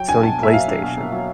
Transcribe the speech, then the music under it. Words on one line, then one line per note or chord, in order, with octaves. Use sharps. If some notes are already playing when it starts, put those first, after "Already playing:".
Sony PlayStation,
Already playing: F#3 G5
D4 G#5
B2 A5
A#3
E5
F#3 F5
D4
B2
A#3
F#3